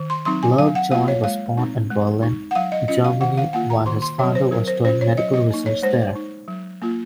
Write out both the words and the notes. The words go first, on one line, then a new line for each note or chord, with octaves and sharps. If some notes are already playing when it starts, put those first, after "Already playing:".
Lovejoy was born in Berlin, Germany while his father was doing medical research there.
Already playing: D#3
C6
F#3 C4 D#4 C6
G#5
F#3 F5
F#5
A#3 F4 F5
C#5
G#3 F5
C4 D#4
G#3
D#4
F#5
F#3 F5
D#5
C#4 F4 D#5
F5
D#3 F#5
F5
A#3 F4 F#5
A#5
D#3 C6
C6
C4 C#5
F#3
C5
F#3 A#4
C5
C#4 F4 C5
C#5
F#3 D#5
D#5
A#3 D#4
C#5
G#3 C5
D#4
F#3
A#3 F4